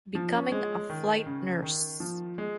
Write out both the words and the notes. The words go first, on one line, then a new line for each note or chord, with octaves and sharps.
Becoming a flight nurse.
F3
C#4
G#3
D#3
C#3
D#3
F3
G#3